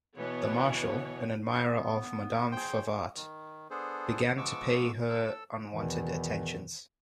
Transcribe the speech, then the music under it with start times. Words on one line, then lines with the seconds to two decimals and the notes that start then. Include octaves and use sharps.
The marshal, an admirer of Madame Favart, began to pay her unwanted attentions.
0.17 B2 E3 B3 C#5
1.63 B3
2.52 G#4 C5 G5
3.16 D#3
3.70 B3 D4 G#4 A4 C5
4.37 F3 G#3 B3 C#6 D6 E6
5.09 A4 E6
5.72 E2 B2 D#3 E3